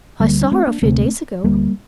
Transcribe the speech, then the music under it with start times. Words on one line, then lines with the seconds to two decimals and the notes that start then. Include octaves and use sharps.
"I saw her a few days ago."
0.20 D2 D3 G3 A#3
0.41 D4
0.52 A3 C4
0.67 A#3 D4
0.82 D2 C3 A3 C4
1.44 D2 D3 G3 A#3